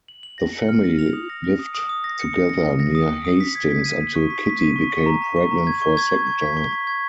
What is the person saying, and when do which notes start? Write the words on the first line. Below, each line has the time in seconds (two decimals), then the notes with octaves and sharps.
The family lived together near Hastings until Kittie became pregnant for a second time.
0.08 F#7
0.23 F#7
0.38 A#6
0.53 C#7
0.69 F6
0.84 A#6
0.99 F7
1.13 D#6
1.30 A#6
1.44 A#6
1.59 D#6
1.75 D#6
1.89 D#6
2.04 A#6
2.19 C#7
2.34 A#6
2.49 A#6
2.65 A#6
2.80 A#6
2.95 D#6
3.10 D#6
3.25 D#6
3.40 B6
3.55 G#6
3.71 B6
3.86 D#7
4.00 B6
4.15 C#6
4.30 B6
4.46 B6
4.61 D#7
4.76 C#6
4.91 C#6
5.06 A#5
5.22 A#5
5.36 C#6
5.51 A#5
5.67 G#6
5.82 C#6
5.97 G#6
6.12 C#6
6.27 C#6
6.42 B6
6.57 C#6
6.73 C#6
6.87 G#6